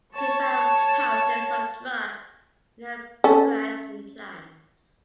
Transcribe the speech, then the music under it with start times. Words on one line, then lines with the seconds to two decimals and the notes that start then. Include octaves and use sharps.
We found pouches of drugs in her breast implants.
0.15 C#5 A5
3.24 C#4 A4